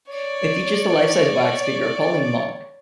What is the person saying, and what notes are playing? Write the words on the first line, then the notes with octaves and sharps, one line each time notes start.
It features the life-size wax figure of a Pauline monk.
C#5 D5